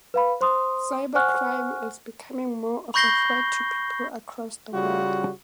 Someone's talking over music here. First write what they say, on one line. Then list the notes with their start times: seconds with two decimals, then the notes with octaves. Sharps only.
Cyber-crime is becoming more of a threat to people across the world.
0.14 B4 F5 B5
0.41 C5 C6 D#6
1.15 C5 F#5 G#5 C#6 F6 F#6
2.94 B5 C#6 G6 A#6 C7 G7
4.72 C#3 G3 F4 F#4